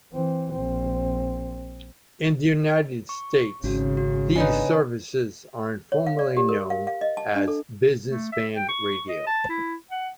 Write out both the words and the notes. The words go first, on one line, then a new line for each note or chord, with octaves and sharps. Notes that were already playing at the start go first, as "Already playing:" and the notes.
In the United States these services are informally known as business band radio.
E3 C4
A#1 C4
C#6
G#1 C#3 C#4 F#4
F#4
D3 B3 D#4 C#5 D#5 G#5
C#5
F5
D5
G4
A#4
F5
F5
D#5
A5
D4
A4
A3
E5
G5
C#6
D#5
A5
E4
F#5